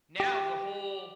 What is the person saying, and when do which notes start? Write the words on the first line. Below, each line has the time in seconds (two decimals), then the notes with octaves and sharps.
now the whole
0.20 G4